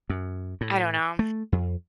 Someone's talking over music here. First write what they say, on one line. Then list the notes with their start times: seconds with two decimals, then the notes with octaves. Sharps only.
I don't know,
0.10 F#2
0.61 A2
1.19 A3
1.52 F2